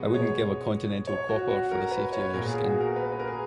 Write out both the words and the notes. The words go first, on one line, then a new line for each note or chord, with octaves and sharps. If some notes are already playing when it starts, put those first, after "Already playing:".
I wouldn't give a continental copper for the safety of your skin.
Already playing: B2 G#3 B3
C#5
C#5
F#4
F#4
A#4
B4
C#5
A#2 G#3 B3 A#4
G#4
F#4
A#4
B4
B4
A#4
G#4